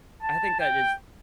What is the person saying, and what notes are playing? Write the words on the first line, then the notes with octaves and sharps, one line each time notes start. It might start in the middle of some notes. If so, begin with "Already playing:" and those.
I think that is,
A5
G5